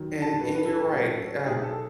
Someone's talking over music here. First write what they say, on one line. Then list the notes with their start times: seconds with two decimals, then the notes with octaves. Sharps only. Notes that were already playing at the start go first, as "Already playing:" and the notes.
and and you're right, eh, uh,
Already playing: D#2 D#3 F#3
0.22 A5
0.40 A2 F#3 C#4 B4
0.55 B4
0.66 A4
0.92 A2 F#3 C#4
1.46 B2 F#3 A3 D#4 G#4
1.63 A4